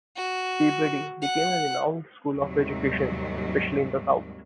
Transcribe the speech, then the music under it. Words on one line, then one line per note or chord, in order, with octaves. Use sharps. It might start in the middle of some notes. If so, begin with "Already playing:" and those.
Peabody became a renowned school of education, especially in the South.
F#4
F#5
D#2 G#2 C3 D#3 F#3 G3